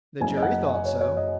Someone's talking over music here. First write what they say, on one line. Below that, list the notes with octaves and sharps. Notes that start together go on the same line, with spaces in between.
"The jury thought so."
F#1 F#2 F#3 G#5
D#5
F#5
D#5
C#5
C#5
D#5